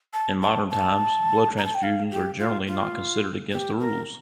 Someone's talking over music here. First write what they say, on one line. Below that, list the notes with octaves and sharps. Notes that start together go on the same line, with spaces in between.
In modern times, blood transfusions are generally not considered against the rules.
A5
A5
A5
A#5
A5
G5
F5
G4
F4
F4
G4
A#4